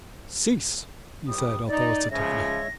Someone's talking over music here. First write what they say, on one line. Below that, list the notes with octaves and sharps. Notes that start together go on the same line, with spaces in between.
"Cease!" he said authoritatively.
C2 G3 D#6
D#4 D5
C#3 F3 G#3 C#5 E5 A#6